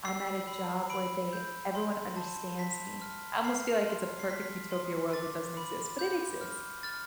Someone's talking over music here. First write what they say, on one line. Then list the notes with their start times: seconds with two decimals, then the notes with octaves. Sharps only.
I'm at a job where they everyone understands me, I almost feel like it's a perfect utopia world that doesn't exist, but it exists.
0.05 E6 C7
0.47 B5
0.90 B5 D7
1.33 G6
1.75 C6
2.16 A5
2.59 A5 B6
3.02 F6
3.44 F6 C7
3.87 C6
4.19 C7
4.29 F6 B6
4.71 C6
5.13 D6 A6
5.57 B5
5.98 B5 G6
6.41 F6
6.83 F6 A6